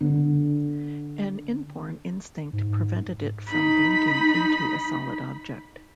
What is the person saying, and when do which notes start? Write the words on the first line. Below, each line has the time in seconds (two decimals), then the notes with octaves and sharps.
An inborn instinct prevented it from blinking into a solid object.
0.01 D3
2.53 G#2
3.48 D#4 B5